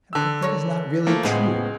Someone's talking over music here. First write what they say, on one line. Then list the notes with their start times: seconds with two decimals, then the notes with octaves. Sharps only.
But that is not really true.
0.13 D3 E6
0.42 A#4 C#5
1.07 F3 A3 A#3
1.23 C#2 A2 G#3 B3 C4